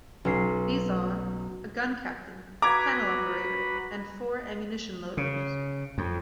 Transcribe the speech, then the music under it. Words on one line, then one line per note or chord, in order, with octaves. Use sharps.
These are a gun captain, a panel operator, and four ammunition loaders.
B1 C#4 C7
F#4 B4 A#5 B5 D6 G#6
C#3
F2